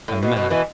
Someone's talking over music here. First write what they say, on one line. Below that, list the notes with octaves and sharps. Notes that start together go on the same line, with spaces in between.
I'm mad.
A2
B2
B2
B2 E3